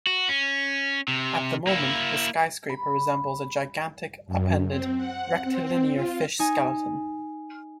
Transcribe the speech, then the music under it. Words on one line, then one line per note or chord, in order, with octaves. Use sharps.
At the moment, the skyscraper resembles a gigantic, upended, rectilinear fish skeleton.
F#4
C#4
C3
A#3 E4
B5
F#2
C4
F#5
C4
F4
D#4 G#5